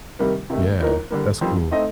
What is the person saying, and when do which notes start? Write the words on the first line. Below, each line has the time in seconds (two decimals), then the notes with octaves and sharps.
Yeah. That's cool.
0.19 C3 D#3 G3 A#3
0.50 C3 D#3 A3
0.80 A2 F3 A#3 D#4 A#4
1.10 D3 G3 A#3
1.41 F2 D#3 G3 C4
1.71 A3 C4 D#4 A4 D#5